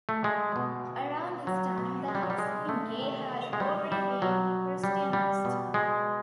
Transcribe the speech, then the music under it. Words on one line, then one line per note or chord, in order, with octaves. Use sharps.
Around this time, the Hasdingi had already been Christianized.
A3
G#3
B2
F#3
B2
G#3
G3
F#3
G3
G#3
A3
C3 D#3
G#3
G3
G3
B2 F#3
G3
G3
B2
G#3